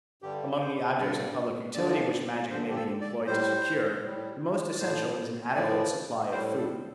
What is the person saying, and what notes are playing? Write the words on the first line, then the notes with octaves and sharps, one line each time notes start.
Among the objects of public utility which magic may be employed to secure, the most essential is an adequate supply of food.
G2 D3 G3 G4
C5
G2 D3 G3 D5
G2 D3 F3 D5
G2 D3 F3 C5
G4
A4
D5
A2 G3 C5
A2 G3
D5
A2 F3 C5
A2 F3 D5
A2 G3 C5
A4